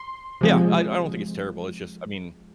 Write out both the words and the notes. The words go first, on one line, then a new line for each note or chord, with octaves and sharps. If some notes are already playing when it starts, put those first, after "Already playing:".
Yeah. I I don't think it's terrible. It's just I mean,
Already playing: C6
C3 F3 G#3